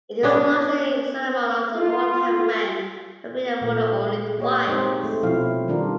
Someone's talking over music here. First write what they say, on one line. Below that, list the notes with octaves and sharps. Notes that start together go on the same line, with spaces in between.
It is a largely ceremonial or wartime rank, having been awarded only twice.
B3 C#4 D4
F4
A#2 A3
A#3 G4 C#5 D#5
G#3 C4 D#4 G4 C5
A3
B2 F3 F#3 C4 E4 F5
D#3 G3 D4 F4 A#4